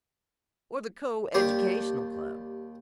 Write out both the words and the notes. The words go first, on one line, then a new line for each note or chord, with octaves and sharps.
Or the Co-educational Club?
D#2 G3 D4 G4 C#6